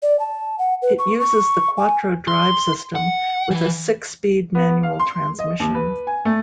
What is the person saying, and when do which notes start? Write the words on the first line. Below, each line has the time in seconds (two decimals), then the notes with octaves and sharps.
It uses the quattro drive system with a six-speed manual transmission.
0.03 D5
0.19 A5
0.59 F#5
0.82 B4
0.99 C#6
1.20 C#6
1.78 G#5
2.28 C6
2.95 F#5
3.51 E3
4.55 B3
4.83 F5
4.99 C6
5.39 D#5
5.60 D#2
5.75 B4
6.07 G#5
6.25 A3